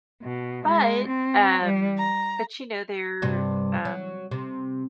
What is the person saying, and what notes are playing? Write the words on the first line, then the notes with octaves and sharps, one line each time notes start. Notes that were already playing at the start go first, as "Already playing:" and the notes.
But, um, but, you know, they're, um,
B2
G#3
C4
G3
A#5
G2 C3 G3
F#3
C3